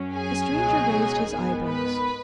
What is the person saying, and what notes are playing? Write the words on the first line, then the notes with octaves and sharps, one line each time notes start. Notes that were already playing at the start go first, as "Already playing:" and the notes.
The stranger raised his eyebrows.
Already playing: F#2 F#3 C#4
G#4 G#5
C#2 B2 F#3 D#4
G#2 D#3 B3
B4 B5